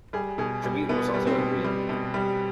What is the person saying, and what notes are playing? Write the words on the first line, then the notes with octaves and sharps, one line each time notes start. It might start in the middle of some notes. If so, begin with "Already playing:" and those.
Tribute was also agreed.
G3 G#4
B2 G#4
G3
B2 B3
G3
C4
B2
G3
B2
G3